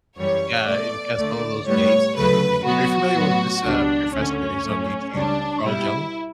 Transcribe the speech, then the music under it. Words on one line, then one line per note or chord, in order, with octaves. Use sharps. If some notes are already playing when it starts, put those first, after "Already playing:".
Yeah, and he cast all those waves and such things. Are you familiar with this, uh, professor? He's on YouTube, Carl Jung?
F#2 E3 G3 C#5
B2 A3 D5
D2 D3 A3 D5
A2 G3 B3 C#5
D2 C#3 F#3 A3 B4
B2 F#3 B3 F#4
A2 F#3 B3
C#2 B2 G3 D4
D2 D3 A3 C#4
A2 F#3 A3
C#2 C#3 G3 D4
B2 G3 B3 E4